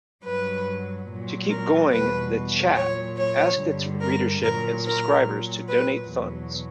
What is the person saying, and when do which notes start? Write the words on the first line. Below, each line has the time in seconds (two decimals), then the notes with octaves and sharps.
To keep going "The Chap" asked its readership and subscribers to donate funds.
0.24 G2 F#3 B4
1.09 A#2 F#3
1.50 A#4
1.92 E2 B2 G3 B4
2.76 A#2 F#3 C#5
3.17 C#5
3.59 G2 D3 G3
4.01 A#4
4.43 A#2 F#3 A#4
4.85 A#4
5.26 A#2 F#3
5.68 B4
6.09 E2 B2 F#3